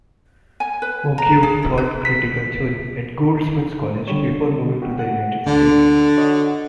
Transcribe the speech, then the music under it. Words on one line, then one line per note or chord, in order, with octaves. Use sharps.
Oguibe taught critical theory at Goldsmiths College before moving to the United States.
G#5
B4
A#5
G#4
E4
B4
B6
D3 G3 C#5
F#4 G4
F#5
D2 D3 D4
F#4 C#5 D#5